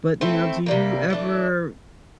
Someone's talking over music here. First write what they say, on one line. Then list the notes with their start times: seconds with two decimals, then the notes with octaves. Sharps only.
But now, do you ever
0.21 A3 C4 E4 A4
0.66 C3 G3 A#3
1.10 E3 A3 D4